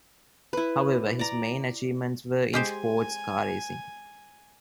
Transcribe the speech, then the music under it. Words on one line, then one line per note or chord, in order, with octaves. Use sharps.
However his main achievements were in sports car racing.
E4 B4
D5 A#5
G#3 G4 C5 G#5